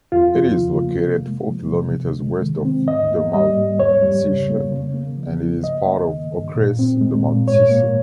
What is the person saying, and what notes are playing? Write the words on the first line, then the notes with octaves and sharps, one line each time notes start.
It is located four kilometers west of Domažlice and it is part of Okres Domažlice.
F2 F4
F3
C#3
A#3
C3
G#3
F3
C3
G2
G#3
D#3
C4
G#2 D#5
A#3
G3 D#5
G#2
F2 C#5
G3
C#3
A#3
C#3
A#3
F3
C#3
G2 D#5
A#3
D#3
G2
A#2
C4
G#3
A#2
G#2 C#5
A#3